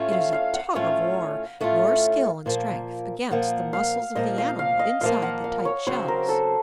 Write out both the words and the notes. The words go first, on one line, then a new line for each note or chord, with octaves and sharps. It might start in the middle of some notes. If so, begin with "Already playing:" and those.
It is a tug-of-war, your skill and strength against the muscles of the animal inside the tight shells.
Already playing: A2 A3 C#4 F4
F5
F5
F#5
A2 A3 C#4 F4 F5
A2 A3 C#4 F4
A#2 F3 A#3
A#2 F3 A#3 F#5
F5
A#2 F3 A#3 D#5
F5
F5
D#5
A#2 F3 A#3 F5
F#5
F5
C#5
C#3 F#3 C4 C5
A#4
A4